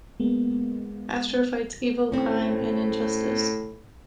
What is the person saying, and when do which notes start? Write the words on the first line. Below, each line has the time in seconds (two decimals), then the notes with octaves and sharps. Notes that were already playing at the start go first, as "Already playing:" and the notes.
Astro fights evil, crime and injustice.
0.20 G#3 A#3 B3
2.12 A2 C4 C#4